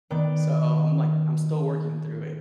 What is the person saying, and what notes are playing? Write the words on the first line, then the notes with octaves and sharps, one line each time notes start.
So, I'm, like, I'm still working through it,
D#3 B3 D5 G5 F#6 D7